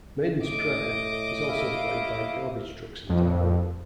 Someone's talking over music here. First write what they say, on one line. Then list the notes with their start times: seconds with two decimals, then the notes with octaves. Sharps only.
"Maiden's Prayer" is also played by garbage trucks in Taiwan.
0.43 A2 D#5 D6
1.48 E4 F5
3.10 F2